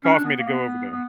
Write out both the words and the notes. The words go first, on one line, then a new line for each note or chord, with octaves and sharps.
cause me to go over there.
C#4
D4
B3
A#3
B3
B3